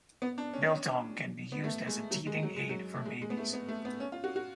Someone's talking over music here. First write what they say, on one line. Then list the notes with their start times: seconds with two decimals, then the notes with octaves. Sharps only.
Biltong can be used as a teething aid for babies.
0.22 B3
0.38 D4
0.54 C#4
1.52 B3
1.64 A3
1.87 G#3
2.11 F#3
2.27 G#3
2.43 F#3
2.56 G#3
2.69 F#3
2.95 A3
3.05 G#3
3.22 G#3
3.30 B3
3.37 A3
3.53 B3
3.68 A3
3.85 B3
4.00 C#4
4.12 F4
4.24 F#4
4.36 F#4